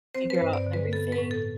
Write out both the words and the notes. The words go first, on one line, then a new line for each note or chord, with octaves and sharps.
figure out everything.
C4 C5
B4
C5
G2
D5
D3
B4
B3 A4
B4
A2
A4